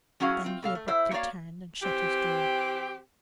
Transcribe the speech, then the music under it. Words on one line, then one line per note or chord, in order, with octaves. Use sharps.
Then he abruptly turned and shut his door.
F#3 C#4 E4 F#4 G#4 F5
C4 F4
B2 A4 F5
A3
E4 C5 E5
A#3 F#4 C#5 D5 F5
E3 C4 G4